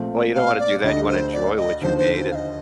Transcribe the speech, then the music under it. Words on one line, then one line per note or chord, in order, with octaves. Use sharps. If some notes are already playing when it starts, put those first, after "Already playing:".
Well, you don't wanna do that, you wanna enjoy what you made, and,
Already playing: A#1 A#2 F3 A3 C4
F5
D5
D2 D3 A3 D4 G4 D#5
C5
D5
D#5
D#2 D3 F3 C5
C5
C5
F5
D#5